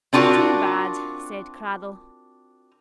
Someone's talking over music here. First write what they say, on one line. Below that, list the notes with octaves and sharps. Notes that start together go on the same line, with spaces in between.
"It's too bad," said Cradell.
C4 D4 F4 F#4 A#4